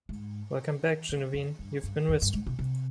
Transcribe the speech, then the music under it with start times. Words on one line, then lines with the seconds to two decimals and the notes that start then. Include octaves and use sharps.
Welcome back Ginuwine, you've been missed.
0.09 G#2
1.09 G2
1.34 F2
1.59 G2
1.84 G2
2.09 F2
2.22 G2
2.33 G#2
2.47 C3
2.59 C3